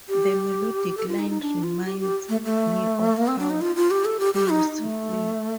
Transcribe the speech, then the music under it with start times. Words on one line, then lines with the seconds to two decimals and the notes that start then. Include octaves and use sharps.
The melodic line reminds me of how he used to play.
0.09 G4
0.97 A4
1.08 F4
1.19 D#4
1.30 D#4
1.41 D4
1.63 F4
1.85 G4
2.00 G4
2.29 A3
2.45 A3
3.17 A#3
3.28 C4
3.39 D4
3.50 D#4
3.61 F4
3.76 F4
3.91 G4
4.05 A4
4.20 G4
4.34 G4
4.49 D#4
4.79 A3